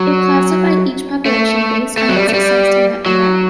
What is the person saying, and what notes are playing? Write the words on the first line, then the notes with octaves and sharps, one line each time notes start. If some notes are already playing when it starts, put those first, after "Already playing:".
It classified each population based on its success in that environment.
Already playing: F#3
A3
A3
F#3
G3
A3
G3
F#3